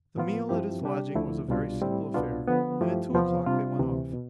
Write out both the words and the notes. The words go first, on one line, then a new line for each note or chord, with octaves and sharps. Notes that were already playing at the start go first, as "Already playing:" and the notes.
The meal at his lodging was a very simple affair, and at two o'clock they went off.
A2 F3 B3 F4
G2 F3 C4 E4 G4
C3 G3 D4 G4
D2 D3 F3 A3 E4
C2 B2 G3 D4 F4
A2 G3 C4 E4
C2 B2 B3 D4 F4
D3 F3 B3
G2 F3 A3 E4 G4
E2 C3 F3 B3 F4
C3 G3 D4 F4
D2 C3 E3
B2